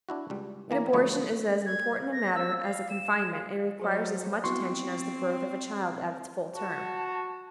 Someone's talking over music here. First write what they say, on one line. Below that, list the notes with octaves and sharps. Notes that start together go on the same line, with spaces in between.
An abortion is as important a matter as a confinement and requires as much attention as the birth of a child at its full term.
D4 E4 F#4
C#2 G3
E3 A#3 A#5
D2 F3 F#3 A3 C#5
G#6
A#6
E6
F5
E7
F5
F#3 G#4 C5 D#5
B3 C4 E4 F#4 C6 C#6
F#4 A5